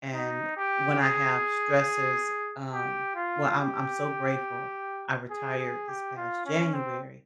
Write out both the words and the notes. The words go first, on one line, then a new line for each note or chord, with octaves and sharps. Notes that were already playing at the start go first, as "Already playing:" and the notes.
and when I have stressors, um well, I'm I'm so grateful, I retired this past January,
D#4
G4
G#4
G4
F4
G4
G#4
G#4
G4
F4
C#4
C4